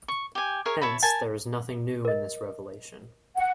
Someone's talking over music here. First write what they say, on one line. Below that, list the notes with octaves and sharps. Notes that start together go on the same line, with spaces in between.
Hence, there is nothing new in this revelation.
C#6
G4 G#5
G#4 A#4 C#5 E5
C#5 E5 A5 B5
A#4 G#5 A5
A#4 D#5
F#5